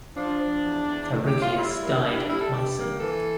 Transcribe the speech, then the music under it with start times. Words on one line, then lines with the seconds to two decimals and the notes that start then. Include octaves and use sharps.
Fabricius died at Meissen.
0.17 F3 D4
0.41 F3
0.64 E2
0.87 E2
1.12 A2
1.27 G4
1.36 A2
1.42 F4
1.58 G3 E4
1.82 A#3
2.05 G3 D4
2.13 E4
2.17 D4
2.29 G3 E4
2.41 A4
2.52 G2 G4
2.77 A#3
3.00 E3 A4